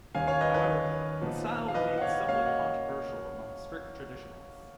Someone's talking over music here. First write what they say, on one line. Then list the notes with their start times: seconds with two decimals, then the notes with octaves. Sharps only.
However, the style remains somewhat controversial among strict traditionalists.
0.15 D#2 D#3 A#3 C#4 F5 G#5
0.27 C#5 F5
0.41 B4 D#5
0.54 B4
1.21 A#2 F3 B3 D#4
1.68 F5
1.74 B4 D#5
1.98 F#5
2.01 C#5 F5
2.28 B2 A#3 C#4 C#5 F5
2.46 D#5 F#5